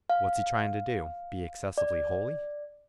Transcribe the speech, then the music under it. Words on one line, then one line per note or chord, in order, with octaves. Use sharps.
"What's he trying to do--be excessively holy?"
F5
D5